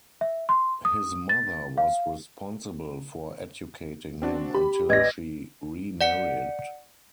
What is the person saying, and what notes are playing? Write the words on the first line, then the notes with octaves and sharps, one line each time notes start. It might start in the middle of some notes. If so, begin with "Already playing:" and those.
His mother was responsible for educating him until she remarried.
E5
C6
D#6
A6
F5
C4 D4 F#4
G4 B5
A1 B4 D5 D#5 G#6 A#6
D5 F#5 C#7